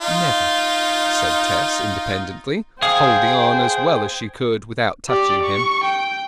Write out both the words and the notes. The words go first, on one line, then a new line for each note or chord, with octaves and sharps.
"Never!" said Tess independently, holding on as well as she could without touching him.
D#4 F4
G#4 C5 F5 G5 D#6
G4 D5
C#6
G5